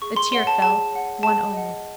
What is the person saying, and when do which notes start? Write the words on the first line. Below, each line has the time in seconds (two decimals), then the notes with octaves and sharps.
A tear fell: one only.
0.02 G#4 C#6
0.16 C6
0.32 C#5 F#5 C6
0.47 A5
0.62 G#4 A5
0.92 C#5 F#5
1.23 G#4 A5
1.53 D#5 F#5